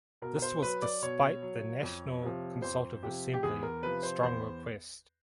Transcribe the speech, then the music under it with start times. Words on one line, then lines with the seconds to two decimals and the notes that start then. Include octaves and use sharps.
This was despite the National Consultative Assembly strong request.
0.22 B2 A#4
0.42 C5
0.62 F#3 B4
0.82 D5
1.02 B2 C#5
1.42 F#3
1.83 F2
2.23 C3 F3
2.62 F2 C5
3.03 C3 F3 G4
3.34 G4
3.43 E2 G#4
3.63 A#4
3.83 C3 F3 B4
4.03 C5
4.23 E2 C5